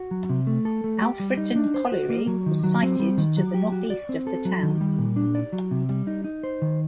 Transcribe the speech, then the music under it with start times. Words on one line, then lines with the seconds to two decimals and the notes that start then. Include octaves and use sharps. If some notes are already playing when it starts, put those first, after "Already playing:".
Alfreton colliery was sited to the north-east of the town.
Already playing: F#4
0.11 F#3
0.29 C3
0.47 A3
0.65 A4
0.84 A3
1.02 G4
1.20 G3
1.37 D#4
1.56 D4
1.74 C5
1.92 F#4
2.10 A#3
2.27 F#3
2.46 D#3
2.63 F#3
2.83 C4
3.00 G3
3.18 D#3
3.37 F#3
3.54 G4
3.72 F#4
3.90 D5
4.09 C4
4.27 A4
4.45 F#3
4.63 D#3
4.81 G3
4.99 A#2
5.16 D4
5.35 D5
5.53 F#3
5.71 C3
5.89 G3
6.07 D#4
6.24 D#4
6.43 C5
6.62 D#3